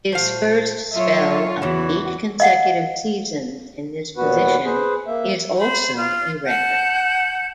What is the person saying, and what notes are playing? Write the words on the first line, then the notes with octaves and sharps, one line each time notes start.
His first spell of eight consecutive seasons in this position is also a record.
A#2 A3 C5 F5
F#3 F4 C#5 E5
E2 C#3 E3 F#4 C#5
D#5 F5 F#5
D#2 A#2 B3 F#4 B4
G#4 B4 C5
A#3 E5
C5 B5
F4
F#5 A5 G6